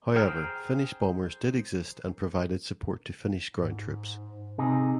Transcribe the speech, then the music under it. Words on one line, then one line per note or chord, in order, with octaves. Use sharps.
However Finnish bombers did exist and provided support to Finnish ground troops.
G#4 C5 G5 A#5 F6
G#2
C3 D#4 G#4